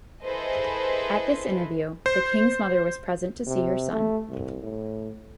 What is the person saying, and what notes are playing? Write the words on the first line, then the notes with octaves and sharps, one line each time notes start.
At this interview, the king's mother was present to see her son.
E4 G#4 A4 B4 C5 D#5
C5
C3
A3
C2
A2